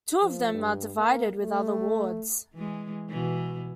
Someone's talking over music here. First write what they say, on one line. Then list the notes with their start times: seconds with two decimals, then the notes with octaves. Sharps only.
Two of them are divided with other wards.
0.22 F3
0.53 G2
0.98 A#3
1.41 A3
2.53 E3 G#3
3.09 B2 E3